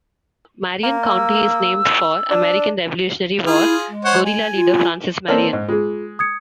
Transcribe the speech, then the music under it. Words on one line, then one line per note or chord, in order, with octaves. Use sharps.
Marion County is named for American Revolutionary War guerrilla leader Francis Marion.
A#3
E6
D4
E4 F4 G#4
G#3
C5 C#5 F#5
G#5
F4
A#3 C4 A4 C#5 D5
G#2 D#5
G#3 F4 G#4
D#6 G#6 C#7